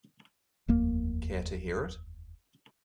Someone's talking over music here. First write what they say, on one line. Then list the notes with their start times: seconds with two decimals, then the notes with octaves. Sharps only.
Care to hear it?
0.68 F1 D#2 A#3